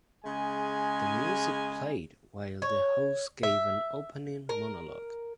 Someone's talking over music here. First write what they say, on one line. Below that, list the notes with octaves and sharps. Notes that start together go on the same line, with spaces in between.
The music played while the host gave an opening monologue.
C#3 G#3 G#5
C#5
E5
A#4